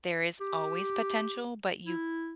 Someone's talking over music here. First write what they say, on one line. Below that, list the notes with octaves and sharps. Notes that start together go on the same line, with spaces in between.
there is always potential, but you
G4
E4